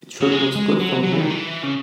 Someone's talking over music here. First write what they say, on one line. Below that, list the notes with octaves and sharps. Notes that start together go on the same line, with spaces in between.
It sure looks good from here.
F#3
G#3
G#3
F#3
F#3
E3
D#3
E3
C#3